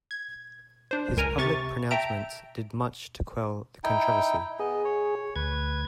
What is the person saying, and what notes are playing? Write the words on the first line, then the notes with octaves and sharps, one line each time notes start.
His public pronouncements did much to quell the controversy.
G#6
D4 C5
C#2 A#4 G#5 A#5
C3 C#6 A6
E5 G5 A5 A#5 D7
D#4 E4 G5
B3 G#4 D#5
C#5
D2 B4 G#6